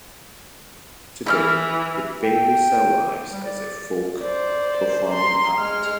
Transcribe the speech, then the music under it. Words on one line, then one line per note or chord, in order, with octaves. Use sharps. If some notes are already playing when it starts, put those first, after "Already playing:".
Today it barely survives as a folk performing art.
E3 E4 E6 F6
G5
G3
D5
C5 D5
A#5 C6
G#3 F6